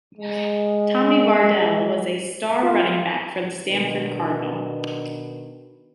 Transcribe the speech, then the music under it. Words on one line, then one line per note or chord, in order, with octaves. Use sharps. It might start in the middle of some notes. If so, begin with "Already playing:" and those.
Tommy Vardell was a star running back for the Stanford Cardinal.
G#3
F4
B2 D#3 D4 B4